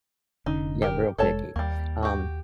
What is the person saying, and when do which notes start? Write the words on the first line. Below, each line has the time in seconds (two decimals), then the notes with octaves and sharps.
Yeah, real picky. Um
0.46 F1 D3 C#4 D#4
0.82 G4 A#4
1.18 F1 G#3 A4 C#5 A5
1.56 D#2 G3 A#3
2.03 F#4 G4